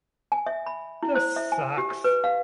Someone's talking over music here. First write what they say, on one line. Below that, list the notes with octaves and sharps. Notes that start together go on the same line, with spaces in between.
This sucks.
G#5
E5
B5
E4
C5
E5
G#5
G4
B4
F5